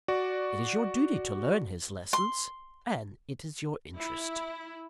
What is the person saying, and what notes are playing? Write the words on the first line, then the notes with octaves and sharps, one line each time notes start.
It is your duty to learn His lessons: and it is your interest.
F#4 D5
C6
E4